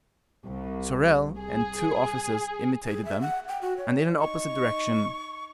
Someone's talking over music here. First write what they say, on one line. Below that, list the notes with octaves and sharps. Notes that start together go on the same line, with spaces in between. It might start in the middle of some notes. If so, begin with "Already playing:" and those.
Sorel and two officers imitated them, and in an opposite direction.
C2
G#4
G#4
E5
F#5
G5
F#4
C#5
D#4 C#6